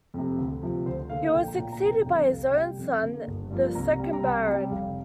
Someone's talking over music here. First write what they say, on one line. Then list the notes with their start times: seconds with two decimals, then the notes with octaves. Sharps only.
He was succeeded by his only son, the second Baron.
0.14 F2 C3
0.38 D2
0.62 C3 F3
0.86 D2 C5
1.10 D3 A#3 F5
1.34 A#1 G5
1.48 A#5
1.58 A#2 A#3 G5
1.72 A#5
1.82 F1 G5
2.06 F2 D3 G3 C4 G5
2.31 C2 F5
2.55 C3 G3 G5
2.78 F2
3.03 D3 A#3
3.27 G1
3.50 G2 F3 A#3
3.75 C2 A#5
3.99 C3 G3
4.13 A#5
4.23 C2 G5
4.48 C3 G3
4.71 F1 F5